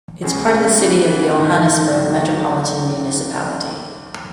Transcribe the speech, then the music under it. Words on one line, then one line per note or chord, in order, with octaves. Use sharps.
It is part of the City of Johannesburg Metropolitan Municipality.
C#2 B2 G#3 C#4
C#2 B2 G#3 C#4
C#3 E3 B3 E4
C#3 E3 B3 E4
G#2 D#3 A3 D#4
G#2 D#3 A3 D#4
D#2 D#3 F#3 A3
D#3 F#3 A3